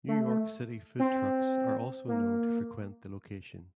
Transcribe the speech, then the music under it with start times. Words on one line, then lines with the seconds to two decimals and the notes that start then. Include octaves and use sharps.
New York City food trucks are also known to frequent the location.
0.08 A3
0.27 A3
0.99 C4
2.08 A#3